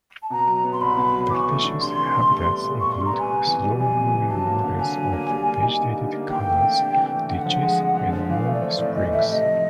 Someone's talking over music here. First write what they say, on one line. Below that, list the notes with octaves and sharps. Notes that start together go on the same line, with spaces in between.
The fish's habitats include slow-moving waters of vegetated canals, ditches, and warm springs.
A5
B2 A#5
F#3
B3
C6
C2 B5
B2
F#3
E3 C#6 D6
A3
D4
C3 C6
E3
A3
G3
B3
A#2
A#2 C#6
C6
G3
A#5
B3
G#5
C3
E3
G3
F2 G#5
C3
E3
F#3 A5
A#3
D3
D3 G#5
F#3
A#3
G3
A#3
D#4
D3
G3
A#3
E3 G5
A3
D4
C3
E3
A3
D3 F#5 G5
F3
G#3
F2
D3
F3
E3 F5
A3
D5
C4
A2 D5
E3 D#5
A3 E5
C3 D#5 E5
F3